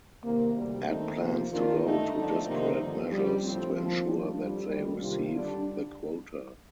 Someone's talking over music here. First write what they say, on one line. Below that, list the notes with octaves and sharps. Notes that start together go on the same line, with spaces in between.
Ed plans to go to desperate measures to ensure that they receive the quota.
C3 D#3 A#3
D2 C3 G3
D#2 D#3 A3 C4 D#4
C3 F3 A#3
F2 D#3 A#3 D4 F4
G2 D3 A3 D#4
D3 F3 A3 D#4
C3 D#3 A#3 D#4
G2 D3 F3
F2 D3 G3
A2 F3 C4
D#2 D3 F3
A2 G3 D4 F4
F2 D3 G3
D#2 D3 G3
C3 D#3 G3 D4 F4
D3 G3 D4